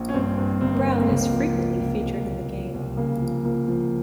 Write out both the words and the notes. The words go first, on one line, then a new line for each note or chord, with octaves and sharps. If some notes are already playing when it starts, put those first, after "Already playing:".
Brown is frequently featured in the game.
Already playing: A#1
C#4
G2 C4
G2
G1 C4
A#3
G2
A#3
C#2
F3
F3
C#2
C2
A#2
F3
C2
C#3 A#3
F3
F3 A#3
F3